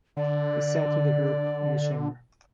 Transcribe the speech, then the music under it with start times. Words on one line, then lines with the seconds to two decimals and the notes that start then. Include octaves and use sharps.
He sat with the group in the chamber.
0.17 D3 D5